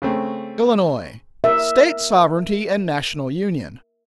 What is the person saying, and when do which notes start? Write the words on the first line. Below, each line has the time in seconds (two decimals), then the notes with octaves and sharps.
Illinois--State Sovereignty and National Union.
0.02 C#3 A3 C4
1.44 A#4 E5